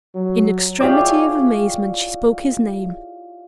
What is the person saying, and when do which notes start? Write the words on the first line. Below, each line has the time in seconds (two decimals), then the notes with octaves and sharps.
In extremity of amazement she spoke his name.
0.15 F#3
0.80 E4 F4 G4 G#4 C#5 D5